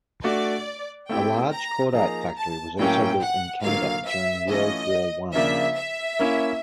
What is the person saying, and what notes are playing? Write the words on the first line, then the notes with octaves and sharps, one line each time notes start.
A large cordite factory was also built in Canada during World War One.
A3 D4 F#4 D5
A3 C4 E4 G4 G5
A#5
F3 A#3 D#4 G#4 A#5
A5
A2 F#3 A#3 C#4 G5
F#5
D3 F#3 A#3 F5
E5
E3 A3 C#4 F4 A4 D#5
C#3 F3 A#3 D4 E5
E5
A#3 C#4 E4